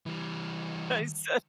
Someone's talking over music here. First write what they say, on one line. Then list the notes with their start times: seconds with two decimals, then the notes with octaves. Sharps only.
I said,
0.06 E3 G3